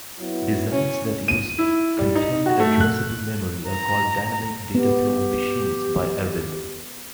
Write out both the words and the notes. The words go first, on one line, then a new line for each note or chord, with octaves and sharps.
Designs that use Content-addressable memory are called dynamic dataflow machines by Arvind.
F#3 B3 E4
C#4
D#7
E4
G3
D#4
F#4
A3
F#6
A#5
B3 G4